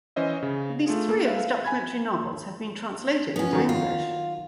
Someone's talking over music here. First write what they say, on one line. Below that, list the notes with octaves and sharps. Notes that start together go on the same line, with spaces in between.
At least three of his documentary novels have been translated into English.
E3 C#4 C5 D#5 E5
C#3
A3 F4 G#4
A#3
B4 E5 F5
G#5 B5 G#6
B3 C#4
D#3 F#3
F4